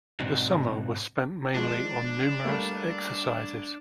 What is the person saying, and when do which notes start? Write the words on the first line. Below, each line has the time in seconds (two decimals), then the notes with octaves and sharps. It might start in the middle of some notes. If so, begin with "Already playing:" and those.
The summer was spent mainly on numerous exercises.
0.20 G#2 B2 C4 D4 D#4 F#4
1.54 F3 G#3 D4
2.44 G3 A3 A#3